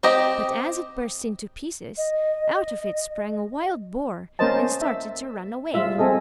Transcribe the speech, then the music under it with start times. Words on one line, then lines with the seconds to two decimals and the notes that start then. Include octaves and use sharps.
But as it burst into pieces, out of it sprang a wild boar, and started to run away.
0.03 C4 G4 D#5
1.98 D#5
4.39 A#3 C#4 A#4 C5 D#5 A5
4.81 E5
5.74 G3 G#3 F4 E5
5.98 C4 G#4 A4 D#5